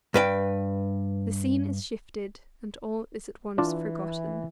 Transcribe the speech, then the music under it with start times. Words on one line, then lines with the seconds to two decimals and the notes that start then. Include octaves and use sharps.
The scene is shifted, and all is at once forgotten.
0.14 G2 B4 G5
3.58 E3 D4 F4 D5